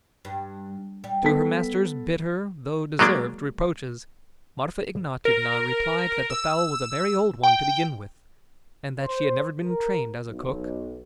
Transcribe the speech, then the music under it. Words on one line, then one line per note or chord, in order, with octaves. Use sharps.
To her master's bitter, though deserved, reproaches, Marfa Ignatyevna replied that the fowl was a very old one to begin with, and that she had never been trained as a cook.
G2
G3
B3 A4 B6
F#3 G#3 A#3 D4
A#4
E6
G5
C5
A#4
B1